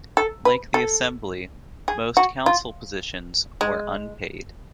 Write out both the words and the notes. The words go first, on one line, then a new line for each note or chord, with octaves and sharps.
Like the assembly, most council positions were unpaid.
A4
B4
A4
G#4
F#4
F4
G#3